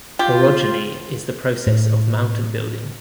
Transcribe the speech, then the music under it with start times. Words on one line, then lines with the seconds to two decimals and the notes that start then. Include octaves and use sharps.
Orogeny is the process of mountain building.
0.19 F4 G4
1.67 A2